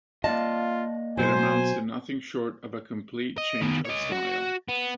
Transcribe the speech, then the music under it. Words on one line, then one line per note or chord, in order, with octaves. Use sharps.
It amounts to nothing short of a complete change of style.
A#3 F4 D5 D#5 A5
B2 F#3 C5 G#5
D#5
D#3 B3
C#5 D#5
F#4
B3